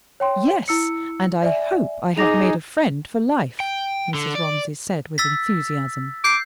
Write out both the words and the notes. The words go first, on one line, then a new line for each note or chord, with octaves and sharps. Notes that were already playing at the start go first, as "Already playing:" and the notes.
"Yes--and I hope I have made a friend for life," Mrs. Romsey said with enthusiasm.
C#5 G5 C6
E4 E6 C#7
D5 E5 G#5
D#4 G#4 D6 A#6 F7
G5
D3
D5
E6 A6 B6
D6 G6 C7